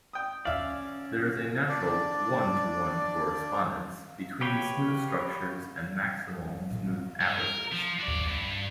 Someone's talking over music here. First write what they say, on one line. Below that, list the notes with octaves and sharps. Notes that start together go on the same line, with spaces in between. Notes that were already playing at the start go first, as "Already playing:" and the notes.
There is a natural one-to-one correspondence between smooth structures and maximal smooth atlases.
G5 D#6
C#4 D5 E5 F5
D4 D5
G4 B4 C#5 G5
F#3 G#3
F#3
A2 D#3
C4
G2
A#4
F3
F#4 D5
G2